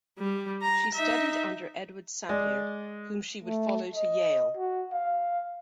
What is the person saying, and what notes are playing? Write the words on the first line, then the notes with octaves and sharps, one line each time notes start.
She studied under Edward Sapir, whom she would follow to Yale.
G3
A#5
D#4 E5
G#3 D5
A3
D#5
F#4
F5